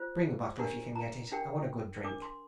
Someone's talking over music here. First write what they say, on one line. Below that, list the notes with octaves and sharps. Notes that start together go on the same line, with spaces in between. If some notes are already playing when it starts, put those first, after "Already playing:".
"Bring a bottle if you can get it--I want a good drink."
Already playing: F4 C5
D4 G4 A#4 A#5
A#5
D4 G4 A#4 G5
D4 A#4 D6
C6